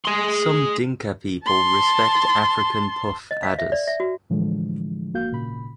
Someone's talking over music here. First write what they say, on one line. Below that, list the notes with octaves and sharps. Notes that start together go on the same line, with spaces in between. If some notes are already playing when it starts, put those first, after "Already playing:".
Some Dinka people respect African puff adders.
G#4 C6
A5 C6
D#5
F5
E5
D5
E5
F#4
A2 D3 E3 F3 G#3
G1 A#3 F#4 F5 G6
G#1 A#2 C#3 B5